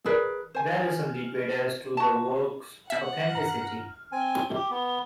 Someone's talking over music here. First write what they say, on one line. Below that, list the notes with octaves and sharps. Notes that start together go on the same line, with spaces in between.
There is some debate as to the work's authenticity.
G#4 A#4 B4 D5
C5 G#5
F#4 A5
B2 E5 F#5
G2 A#5
C4 G#5
G4
B3